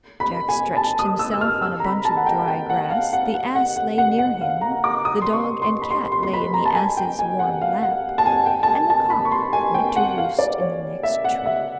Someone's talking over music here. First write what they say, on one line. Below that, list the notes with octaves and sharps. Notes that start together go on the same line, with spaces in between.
Jack stretched himself on a bunch of dry grass, the ass lay near him, the dog and cat lay in the ass's warm lap, and the cock went to roost in the next tree.
B5
G#5
A5
D#6
E6
E6
F6
E6
A#5
B5
A5
F#5
G5
G5
F#5
F5
F#5
F#5
F#5
F#5
F#5
F#5
F5
A#5
D6
D#6
C6
C#6
C6
B5
C6
C6
C6
B5
A#5
A5
G#5
G5
G#5
F#5
F5
F#5
A5
G#5
G5
A5
G#5
A5
B5
C#6
C6
G#5
G5
F#5
F5
D5
C#5
E5
F#5
E5